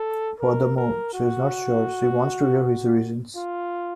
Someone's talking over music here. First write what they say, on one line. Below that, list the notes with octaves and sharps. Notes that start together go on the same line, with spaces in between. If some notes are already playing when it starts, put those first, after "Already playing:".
Furthermore, she is not sure she wants to hear his reasons.
Already playing: A4
A#4
A#4
F#4
F4